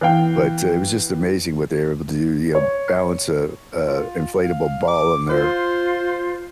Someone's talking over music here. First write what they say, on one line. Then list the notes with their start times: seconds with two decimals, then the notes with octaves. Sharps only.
but, uh, it was just amazing what they were able to do, you know, balance, uh uh, inflatable ball on their
0.01 E3 B3 F5 G5
2.55 C#5
3.87 F4
4.43 F5
4.88 D6
5.30 F4 C5